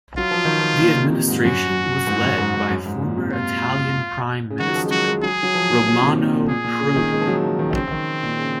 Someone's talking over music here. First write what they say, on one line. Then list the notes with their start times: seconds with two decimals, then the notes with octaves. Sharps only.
The administration was led by former Italian Prime Minister Romano Prodi.
0.17 F#3 F4
0.31 F3
0.45 D#3
0.58 F3
0.81 A#2
0.96 C3
1.12 C3
1.28 G#2
1.44 F#2 F#4
2.07 G#2
2.23 F#2
2.38 G#2
2.54 G#2
2.70 F#2
2.86 G#2
3.02 A#2
3.17 C3
3.33 F4
4.50 C#3
4.59 D#3 F#4
4.68 F#3
4.75 F3
4.86 G#3
4.91 F#3 F#4
5.07 G#3
5.23 F#3 G#4
5.43 F#3
5.55 F3
5.70 A#2
5.86 A#2
6.01 C3
6.12 C3
6.18 A#2
6.33 A#2
6.49 A#2 G#4
6.64 A#2
6.80 C#3
6.96 D#3
7.12 G#3
7.21 F3
7.27 F#3
7.43 F3
7.59 D#3
7.70 D#3
7.75 C#3 C4
7.91 D#3
8.23 A#2
8.38 C#3